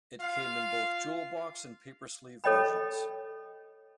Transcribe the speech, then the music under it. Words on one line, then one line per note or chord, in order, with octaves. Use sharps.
It came in both jewel box and paper sleeve versions.
F4 F5
A4 C#5 D#5 G5 B5